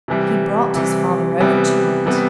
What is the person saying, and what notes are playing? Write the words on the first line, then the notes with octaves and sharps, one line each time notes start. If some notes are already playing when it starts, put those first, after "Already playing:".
He brought his father over to it.
C3 E3 G3
C3 E3 G3
C3 E3 G3 B3
C3 E3 G3 B3